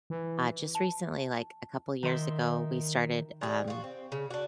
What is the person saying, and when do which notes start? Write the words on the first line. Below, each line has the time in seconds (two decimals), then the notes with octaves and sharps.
uh, just recently, like a couple years ago, we started, um
0.10 E3
0.75 A5
2.03 D#3 E5 C6
3.41 G3 G#4
3.68 F4 F#4
3.84 C4
4.12 C#3
4.30 D4 F#4